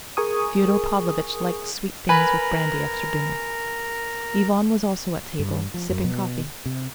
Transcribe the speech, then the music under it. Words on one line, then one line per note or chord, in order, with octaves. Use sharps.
Fyodor Pavlovitch liked sweet things with brandy after dinner. Ivan was also at table, sipping coffee.
G#4 A#4 G#5 C#6 D#6
A#4 B4 G#5 B5
G2
F3
F#2
B2
C3